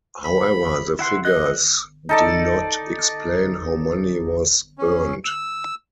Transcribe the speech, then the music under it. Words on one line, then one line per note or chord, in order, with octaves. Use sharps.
However the figures do not explain how money was earned.
B5
E4 F#5 C6
D#5 F#6
D#4 A4 D5
C#4
E6